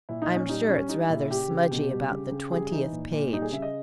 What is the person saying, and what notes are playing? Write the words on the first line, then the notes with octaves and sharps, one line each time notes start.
I'm sure it's rather smudgy about the twentieth page.
A#2 E4
D#4
A#2
C#4
G3 D#4
G3 C#4
G3 D#4
A#2 E4
C#3 G4
C#3
B2
G3
C#3
C#3
G3 G#4
E3 D#4
A#2
A#2
G3 D#4
G#4
C#3 E5
D#5